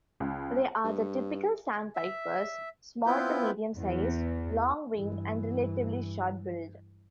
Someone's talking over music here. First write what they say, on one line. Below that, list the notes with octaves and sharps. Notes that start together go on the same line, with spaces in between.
They are the typical "sandpipers", small to medium-sized, long-winged and relatively short-billed.
C#2
G2
E5
B3 C4 E4 F4 B4 G6
E2
G2 E3